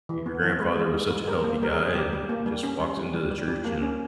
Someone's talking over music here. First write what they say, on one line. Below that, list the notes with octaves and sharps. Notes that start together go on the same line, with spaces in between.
your grandfather was such a healthy guy and he just walks into the church and
E3
B3
E3
G#3 B4
G#3
G#3
G#3
G3 A#4
A#3
G3 A#4
G#4
G3
G3 G4
G3
A#3
G3
C#4
G3
G3
G3
G3
G3
A#3
C#4